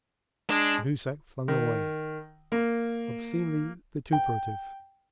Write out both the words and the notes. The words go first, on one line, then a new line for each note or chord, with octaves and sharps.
Cahusac flung away, obscenely vituperative.
G#3 D4
D#3
A#3
G5